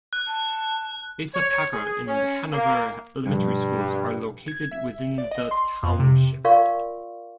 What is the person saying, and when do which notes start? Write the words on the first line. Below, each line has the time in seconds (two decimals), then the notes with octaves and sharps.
Asa Packer and Hanover elementary schools are located within the Township.
0.13 F#6
0.27 A5
1.34 C#5
1.73 G#4
2.08 C#4
2.52 A#3
3.26 G2 B2 F3 G3
4.48 G#6
4.71 E5
5.18 D5
5.31 D#5
5.51 C6
5.83 F2
5.99 C3
6.44 F4 A#4 D5 F5 C6 C#6